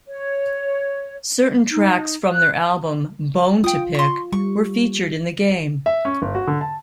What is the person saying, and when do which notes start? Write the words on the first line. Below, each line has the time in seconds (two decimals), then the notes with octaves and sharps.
Certain tracks from their album, "Bone to Pick", were featured in the game.
0.08 C#5
1.70 D#4
2.33 F#6
3.64 F4 G5 D#6
3.95 C6 C#6
4.32 G3 C#6
5.86 E5
6.05 C#4
6.22 G1
6.35 F#4
6.47 D3
6.61 A5